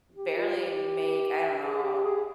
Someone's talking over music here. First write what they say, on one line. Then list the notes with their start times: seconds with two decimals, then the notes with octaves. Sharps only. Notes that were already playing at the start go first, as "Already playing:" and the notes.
barely make, I don't know,
0.15 G4
0.36 F4
0.57 G4
1.62 G#4
1.83 G4
2.04 G#4